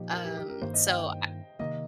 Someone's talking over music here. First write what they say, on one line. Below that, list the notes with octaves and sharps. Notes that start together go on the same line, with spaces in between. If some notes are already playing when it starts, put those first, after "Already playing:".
Um, so I
Already playing: A#2 F3 A#3 D#4 G4
A#4
G4
G4
A#4
G2 D#3 A#3 C5
D#5
G5
C3 D#3 A#3 D#5